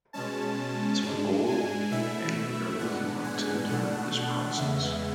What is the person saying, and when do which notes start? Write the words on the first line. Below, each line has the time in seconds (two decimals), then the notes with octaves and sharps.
It's our goal and we are working hard to implement this process.
0.13 B2 G#3 C#4 A5
1.02 G#2 G#3 D4
1.46 G#5
1.91 B2 A3 E4 E5
2.35 E5
2.79 G#2 G#3 B3 D4 F#5
3.24 G#5
3.68 B2 A3 D4 F#5
4.56 E2 C#3 G#3 B3 E5